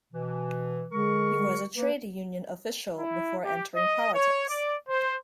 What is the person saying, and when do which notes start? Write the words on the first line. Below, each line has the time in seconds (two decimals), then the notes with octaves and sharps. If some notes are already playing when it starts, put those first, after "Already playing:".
He was a trade union official before entering politics.
0.13 B2 E3
0.92 D3 G#3 A#4 C#6
1.76 A#3 B4
2.99 E4
3.44 G4
3.75 D#5
4.15 C#5
4.49 D5
4.89 C5